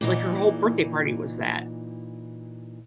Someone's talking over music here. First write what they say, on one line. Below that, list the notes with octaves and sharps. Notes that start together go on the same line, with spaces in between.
like, her whole birthday party was that.
A#2 E3 D#4